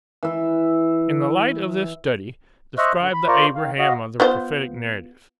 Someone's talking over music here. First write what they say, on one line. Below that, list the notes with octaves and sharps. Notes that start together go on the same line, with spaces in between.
In the light of this study describe the Abraham of the prophetic narratives.
E3 E5
C5 D#5 E5 C#6 F6 F#6
G2 D3
B5
F4 A#4 C5 D5 A#5 C#6
D#3 F5
F#4 D#5 F5
B3 F4 C5